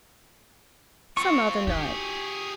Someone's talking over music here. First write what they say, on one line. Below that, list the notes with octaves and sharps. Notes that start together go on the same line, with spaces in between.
"Some other night."
C4 F4 C#6
D#4 G4 G#4